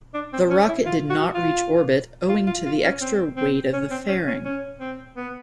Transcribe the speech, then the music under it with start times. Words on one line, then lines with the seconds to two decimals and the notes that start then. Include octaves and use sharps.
The rocket did not reach orbit, owing to the extra weight of the fairing.
0.14 D4
0.33 C4
0.50 C#4
0.68 E4
0.86 F4
1.10 F#4
1.34 F4
2.29 F4
2.47 F4
2.66 F4
2.84 C#4
3.01 C4
3.37 C4
3.73 C#4
3.91 C4
4.08 C#4
4.27 C#4
4.45 C#4
4.80 C4
5.16 B3